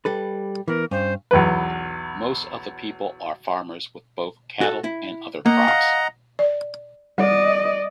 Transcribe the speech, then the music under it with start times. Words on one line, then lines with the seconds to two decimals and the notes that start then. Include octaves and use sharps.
Most of the people are farmers with both cattle and other crops.
0.05 G3 A4 B4
0.68 E3 B3 A#4
0.91 G2 C#4 C5
1.31 B1 E2 B4
4.61 F#4 A4
4.84 E4
5.46 A#3 D#5 F#5 A#5
5.68 F5
6.39 D5
7.18 G3 D5 D#5